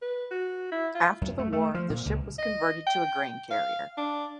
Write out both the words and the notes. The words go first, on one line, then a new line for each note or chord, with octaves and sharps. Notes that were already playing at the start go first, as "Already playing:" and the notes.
After the war the ship was converted to a grain carrier.
B4
F#4
E4
F4
F#2
A3
A3
F3
A#2
C#2
D#5
G5
F5
D4